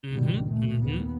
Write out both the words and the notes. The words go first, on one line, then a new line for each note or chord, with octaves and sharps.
Mhm, mhm.
C#2 G2 B2 D#3 G3
A#2 A3
D#2 B3